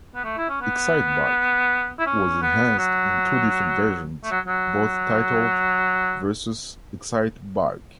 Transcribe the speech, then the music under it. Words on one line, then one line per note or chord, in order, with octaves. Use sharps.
"Excitebike" was enhanced in two different versions, both titled "Versus Excitebike".
B3
A3
E4
C#4
B3
E4
C#4
B3
F#3
A3
F#3
F#3